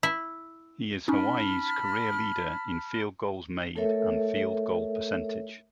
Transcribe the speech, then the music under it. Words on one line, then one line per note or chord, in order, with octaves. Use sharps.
He is Hawaii's career leader in field goals made and field goal percentage.
E4
C#4 D#4 A5 B5 F6
A3 A4 A#4 C#5 E5